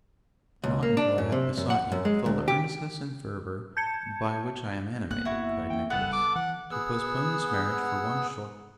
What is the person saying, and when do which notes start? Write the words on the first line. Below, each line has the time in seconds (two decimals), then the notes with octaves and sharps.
'Not until I have besought you, with all the earnestness and fervour by which I am animated,' cried Nicholas, 'to postpone this marriage for one short week.
0.64 C#2
0.83 A#3
0.97 D4
1.18 F#2
1.32 C3
1.57 F#2
1.70 F#5
1.92 F#2
2.05 G#3
2.26 D2
2.48 G4
3.77 A5 G6 G#6 C#7
5.11 G1 A#3 B3 F#5 F#6
5.25 E4 F#4
5.70 E3 A#3 C4 G5
5.90 D1 C#3 G3 B3 A4 F#5
6.13 D6
6.35 E3 F#5
6.71 B3 G#4 F#5 E6